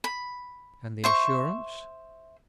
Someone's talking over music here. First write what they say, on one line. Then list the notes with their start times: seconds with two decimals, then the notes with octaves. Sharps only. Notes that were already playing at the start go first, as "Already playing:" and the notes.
And the assurance--?
0.04 B5
1.04 C5 E5 C#6